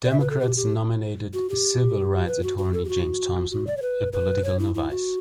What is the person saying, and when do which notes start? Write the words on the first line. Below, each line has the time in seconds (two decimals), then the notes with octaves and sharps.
Democrats nominated civil-rights attorney James Thompson, a political novice.
0.05 D5
0.10 E5
0.20 B4
0.30 A4
0.41 G4
0.57 G4
1.34 F#4
1.50 G4
2.27 B4
2.43 F#4
2.58 F#4
2.74 A4
2.85 G4
2.89 F#4
3.51 F#4
3.67 D5
3.77 C#5
3.82 B4
4.13 B4
4.44 C#5
4.59 E4
4.75 E4
4.91 F#4